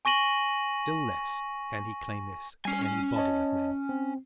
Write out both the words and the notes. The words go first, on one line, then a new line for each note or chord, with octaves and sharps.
Still less can he claim this for any body of men.
G#5 C#6 A#6 D#7 F#7
G3 C#4 G#5 C7
C#5 D#5 A5
C4